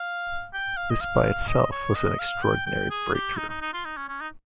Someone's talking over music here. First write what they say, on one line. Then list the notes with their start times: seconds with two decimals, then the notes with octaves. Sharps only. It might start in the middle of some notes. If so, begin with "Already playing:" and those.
This by itself was an extraordinary breakthrough.
Already playing: F5
0.53 G5
0.77 F5
0.90 D#5
1.01 F5
1.48 D#5
1.72 C#5
1.95 D#5
2.19 F5
2.43 G5
2.66 G5
2.90 G#4
3.14 G4
3.37 D#4
3.49 D#4
3.61 D#4
3.73 F4
3.85 D#4
3.97 C#4
4.08 C#4
4.21 D#4